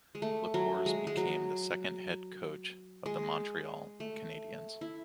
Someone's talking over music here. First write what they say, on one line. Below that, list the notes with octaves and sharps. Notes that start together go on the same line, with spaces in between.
Lecours became the second head coach of the Montreal Canadiens.
G#3
A3
F#3
G#3
G#3
F#3
G#3
A3
E4